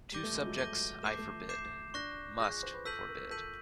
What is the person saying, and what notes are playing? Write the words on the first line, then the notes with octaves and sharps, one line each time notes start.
Two subjects I forbid — must forbid.
G3 D6 G6 A#6 D#7 G7
A3
G#3
F#3
A3 D6 G6 A#6 D#7 G7
A3 D6 G6 C7 E7
A3
D6 G6 C7 E7
D4 C#6 F#6 A#6
G#4 C#6 F#6 A#6
C5
B4
A4 E6 G6 B6 D#7 F#7
A#4
A4 E6 G6 B6 D#7 F#7